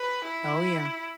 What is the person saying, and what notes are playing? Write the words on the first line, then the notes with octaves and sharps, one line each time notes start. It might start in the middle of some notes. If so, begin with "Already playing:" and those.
Oh, yeah.
Already playing: B4
E4